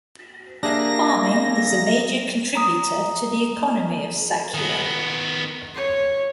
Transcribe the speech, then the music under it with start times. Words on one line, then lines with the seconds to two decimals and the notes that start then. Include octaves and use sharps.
Farming is a major contributor to the economy of Sachkhere.
0.63 A#3 D4 G4 G#4 E5 A#6
2.55 A#5 D#6
4.54 D#3 B3
5.75 C#5